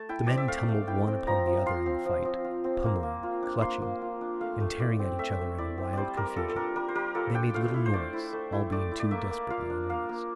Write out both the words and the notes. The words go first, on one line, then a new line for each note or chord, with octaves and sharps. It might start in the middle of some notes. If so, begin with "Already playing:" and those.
The men tumbled one upon the other in the fight, pummelling, clutching, and tearing at each other in a wild confusion. They made little noise, all being too desperately in earnest.
Already playing: A3 A5
E4 G5
C4 D5
E5
A3 F5
A3
E4 G5
C4
F3 A#5
F3
F4 C6
C4
F3
F3
F4
C4
A#3
A#3
F4
D4
A#3 C6
A#3
F4
D4
A3 F5
A3
E4 D5
C4
A3 E5
A3
E4 D5
C4
G3 C5 D5
G3 A#4
F4 A4
A4
D4 A#4
G3 A#4
C5
G3 A#4
F4 A4
D4 G5
A3 F5
E4
C5
A3 D5
E4
A3
E4
A3 D5
E4
D5
A#3 E5
A#3
F4 F5
D4
A#3 F5
A#3